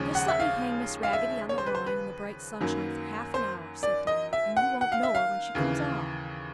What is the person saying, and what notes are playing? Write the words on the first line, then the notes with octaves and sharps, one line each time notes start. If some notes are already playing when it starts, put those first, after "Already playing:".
"Just let me hang Miss Raggedy on the line in the bright sunshine for half an hour," said Dinah, "and you won't know her when she comes off!"
Already playing: D#2 C#3 F3 G#3 C#4
F#5
E5
F5
F5
E5
C#5
C5
B4
C5
B4
F#2 D#3 F#3 A#3
C5
D5
D#5
E5
F#5
F#5
F5
E5
F5
D#2 C#3 E3